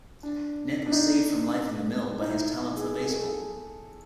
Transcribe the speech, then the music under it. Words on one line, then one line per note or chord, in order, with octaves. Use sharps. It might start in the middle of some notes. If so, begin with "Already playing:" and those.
Ned was saved from life in the mill by his talent for baseball.
D4
D4
D#4
D#4
E4
G#4
G#4
A4
G#4